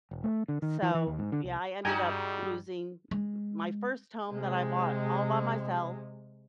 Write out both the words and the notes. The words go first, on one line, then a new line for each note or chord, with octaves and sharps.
so, yeah, I ended up losing m my first home that I bought all by myself
E1
A3
D3
D#3
E3
E3
D#2
G#2
D3
C2
G2 G3 G#3 D#4 F#4 G5 G#5 A#5
G#3
C3 G#3